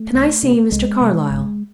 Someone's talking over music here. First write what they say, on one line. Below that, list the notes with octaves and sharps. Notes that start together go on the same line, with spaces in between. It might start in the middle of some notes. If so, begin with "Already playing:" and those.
"Can I see Mr. Carlyle?"
Already playing: A3
C2
C3
C2 G#3
C3
G1